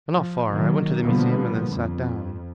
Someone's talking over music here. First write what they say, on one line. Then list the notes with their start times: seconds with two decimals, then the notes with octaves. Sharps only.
But not far; I went to the Museum and then sat down.
0.13 F3
0.51 D#3 F#3 A#3
1.04 B2 D3 F3 G3 A#3 B3
1.72 F2